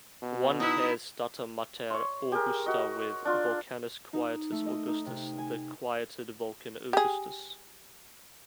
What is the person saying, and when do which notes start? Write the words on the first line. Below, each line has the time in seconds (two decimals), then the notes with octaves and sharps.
One pairs Stata Mater Augusta with Volcanus Quietus Augustus, the 'Quieted' Vulcan Augustus.
0.23 B2
0.60 D#4 E4 F#5 D#6
1.90 C#5 C6
2.32 G4 G#4 A#4
2.66 F#4 D#5
3.25 D4 F4 C6
4.13 D#4
4.52 A3
4.66 D#5
4.88 D#4
5.06 C3
5.38 G#5
6.93 G4 G#4